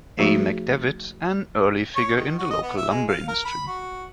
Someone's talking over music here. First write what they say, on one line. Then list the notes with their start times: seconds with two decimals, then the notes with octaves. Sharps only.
A. McDavitt, an early figure in the local lumber industry.
0.18 F3 A3 D#4 F#4 G#4
1.96 C#5
2.16 D#3
2.38 F#4
2.50 D#5
2.63 B3
2.77 E5
2.90 G#3
3.08 F5
3.28 A#4
3.45 B5
3.67 F#4